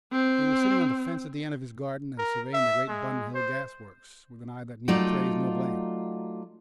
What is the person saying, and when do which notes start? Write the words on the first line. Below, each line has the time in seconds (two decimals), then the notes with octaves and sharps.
He was sitting on the fence at the end of his garden and surveying the great Bun Hill gas-works with an eye that neither praised nor blamed.
0.12 C4
2.18 A#4
2.54 E5
2.89 G#3
3.34 C5
4.88 F#3 A3 D#4 F4 D5